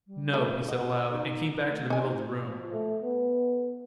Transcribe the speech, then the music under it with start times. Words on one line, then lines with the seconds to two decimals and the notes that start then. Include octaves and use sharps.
"No," he said aloud, and came back to the middle of the room.
0.07 G3
0.33 C#3 A3 A4
0.68 D#5 F#5
1.11 D#4
1.68 A3
1.90 C4 D#4 G#5
2.41 F3
2.72 A3
3.02 B3